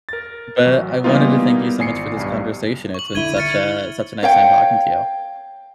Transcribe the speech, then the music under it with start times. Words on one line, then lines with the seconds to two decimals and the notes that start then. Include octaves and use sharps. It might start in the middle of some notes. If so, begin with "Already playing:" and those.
But I wanted to thank you so much for this conversation. It's been such a such a nice time talking to you.
0.09 A#4 A6
0.65 A1 F#3
1.04 E3 G3 A#3 B3 D#4 F4
1.79 G#1 G#5 C7 C#7
2.17 B1 G2
2.94 C#6 F#7
3.15 D3 E4 G#6 D#7 G7
3.37 E4 F6 A6 C#7
4.23 C#5 F5 G5